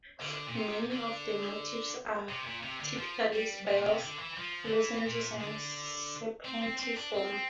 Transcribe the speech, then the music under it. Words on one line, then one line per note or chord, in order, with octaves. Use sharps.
Many of the motifs are typical: spirals, lozenges and serpentiform.
D3
A#2
C3
D3
C3
A#2
C3
D3
F3
G3
A#2
C3
D3
E3
F3
D3
E3
A#2
D3
C4
C4
C4
D4
C4